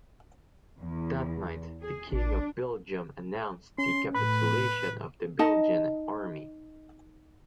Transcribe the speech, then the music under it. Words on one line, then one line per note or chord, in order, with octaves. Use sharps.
That night the King of Belgium announced the capitulation of the Belgian army.
E2
G#4
A1 D4
C#4 C6
A2 B4 B5
D#4 D#5 A5